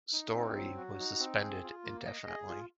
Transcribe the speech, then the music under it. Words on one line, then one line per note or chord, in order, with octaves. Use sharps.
Storey was suspended indefinitely.
D#4
C4
F#3
F#4
D#4
C4
G#4
F4
A#3
D#5
G#4
F4